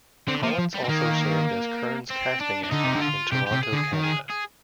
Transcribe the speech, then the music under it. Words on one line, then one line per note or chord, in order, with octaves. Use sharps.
Collins also serves as Kern's casting agent in Toronto, Canada.
D3 C4
F3 A#3
F3
G3
C4
D#3 A#3
C4
D4
D4
D3 D#4
C3
D3 G4
F4
C3 G4
G4
C3
G#4
D3
G#4
D#3
G#4
G#4